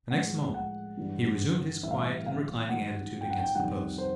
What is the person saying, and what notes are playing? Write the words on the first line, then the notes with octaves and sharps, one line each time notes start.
At the next moment he resumed his quiet and reclining attitude against the post.
A2 F3 G#3 F#5
F#5
G2 E3 G3
A2 E3 G3 E5
F5
E5
F5
G#2 D#3 F#3 F#5
G5
F#5
G5
F2 C3 D#3 G3 F#5
C5